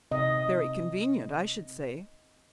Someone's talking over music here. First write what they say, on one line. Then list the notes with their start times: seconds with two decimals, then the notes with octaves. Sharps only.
'Very convenient, I should say.'
0.11 C3 D#5